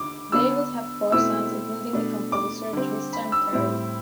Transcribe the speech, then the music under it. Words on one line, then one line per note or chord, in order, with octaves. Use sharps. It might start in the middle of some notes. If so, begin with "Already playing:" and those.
They would have four sons, including the composer, Tristram Cary.
Already playing: D3 D6
D3 F#3 B3 D4 E6
B2 A3 C4 E4 E6
B2 A3 D4
D6
D3 G3 C4
B5
E6
A2 G3 C4 E4